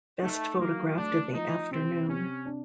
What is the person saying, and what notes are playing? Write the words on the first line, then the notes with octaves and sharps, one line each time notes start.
Best photographed in the afternoon.
A3 D#4
F#3 A#3
A3 D4
F3 D#4
C3 C4
C3 C#4
D4